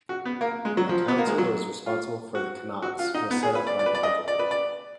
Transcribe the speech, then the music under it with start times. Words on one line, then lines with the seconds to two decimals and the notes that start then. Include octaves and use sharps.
A council that was responsible for the qanats was set up by the government.
0.09 F#4
0.25 B3
0.41 A#3
0.65 G#3
0.77 F#3
0.89 F3
1.08 B3
1.18 A#3
1.27 G#3
1.38 F#3
1.86 F4
2.35 F#4
2.82 F#4
2.99 F4
3.14 D#4
3.31 B3
3.43 G#4
3.55 B4
3.67 D5
3.79 D5
3.86 B4
3.95 D5
4.03 D#5
4.28 D5
4.39 B4
4.51 D5